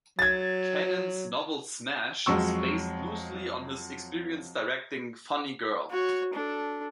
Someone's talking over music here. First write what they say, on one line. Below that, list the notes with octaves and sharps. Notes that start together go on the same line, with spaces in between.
Kanin's novel "Smash" is based loosely on his experience directing "Funny Girl".
F#3 G#6 A6
F2 F#3 G#3 C#6 E6
F#4 C#5
D4 A4